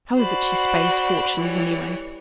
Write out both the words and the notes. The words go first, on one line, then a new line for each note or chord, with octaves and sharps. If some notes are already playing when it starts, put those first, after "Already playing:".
How is it she spaes fortunes any way?
F#4 C5 D5 B5
E3 G3 C#5